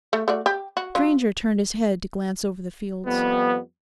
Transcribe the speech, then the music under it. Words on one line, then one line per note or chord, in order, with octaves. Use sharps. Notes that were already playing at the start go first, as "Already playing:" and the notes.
The stranger turned his head to glance over the fields.
A3
A3 F#4 D5
G4
F#4
F#3 C#4 F4
F2 G3 B3